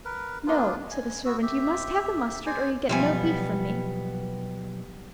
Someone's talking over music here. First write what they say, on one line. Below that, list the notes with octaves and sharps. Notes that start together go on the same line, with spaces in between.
"No," said the servant, "you must have the mustard, or you get no beef from me."
A#4 B4
A#3 B3 D4 F4
G#5
B3 F#4 E6
G4 E5
G#4 C5 D5 G#5
B1 F3 G3 B3 E5 G#5